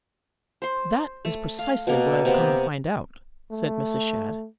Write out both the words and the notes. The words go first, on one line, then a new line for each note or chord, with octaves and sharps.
"That is precisely what I have come to find out," said Mrs. Shadd.
C5 C6
A3
F5
B2 A#3
C3 A#3 B3
A3